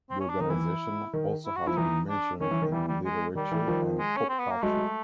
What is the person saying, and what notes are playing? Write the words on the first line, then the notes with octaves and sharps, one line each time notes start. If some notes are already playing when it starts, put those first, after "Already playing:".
The organization also has been mentioned in literature and pop culture.
C4
C#4
D4
D#3 D#4
E3 E4
D#3
E4
F#4
F3 E4
E3 D#4
D4
D#3 C#4
E3
D#3
E3 G3
G3
G#3
D#3 G3
E3
D#3 F3
G#3
C#4
C4
B3
A#3
F#3 G#3 A3